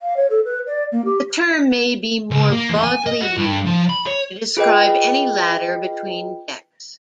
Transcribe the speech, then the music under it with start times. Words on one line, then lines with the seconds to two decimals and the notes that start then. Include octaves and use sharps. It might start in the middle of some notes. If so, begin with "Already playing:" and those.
The term may be more broadly used to describe any ladder between decks.
0.01 F5
0.17 C#5
0.30 A4
0.45 B4
0.67 D5
0.92 A#3
1.05 G4
2.31 C#2
2.51 A#3
2.70 E2
2.83 G#5
3.07 D#5
3.21 F#4
3.37 G2
3.66 F3
3.89 B5
4.06 C#5
4.57 F4 G#4 B4 D#5 G5